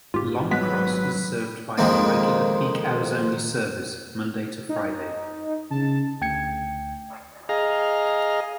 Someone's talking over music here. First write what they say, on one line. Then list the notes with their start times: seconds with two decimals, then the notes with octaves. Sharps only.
Longcross is served by an irregular peak hours only service, Monday to Friday.
0.14 G#1 G#2 F4 G4
0.51 F#3 G#3 B3 B4 B6
1.78 F2 D#3 F3 G#3 A#3 C4
4.69 D#4
5.71 C#3 A5
6.21 D2 G5 G#6 C#7
7.49 G#4 D#5 F5 A#5